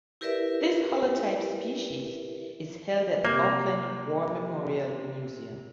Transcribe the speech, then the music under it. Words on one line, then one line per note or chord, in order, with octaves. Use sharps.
This holotype species is held at the Auckland War Memorial Museum.
E4 G4 A#4 B4 D5 E5
C3 A#3 G6